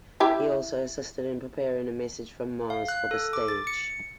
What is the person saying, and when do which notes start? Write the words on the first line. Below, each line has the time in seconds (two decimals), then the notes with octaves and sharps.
He also assisted in preparing "A Message From Mars" for the stage.
0.20 E4 G4 E5
2.70 F5
2.88 F#6
3.11 A4
3.33 D6
3.48 A6
3.67 C#7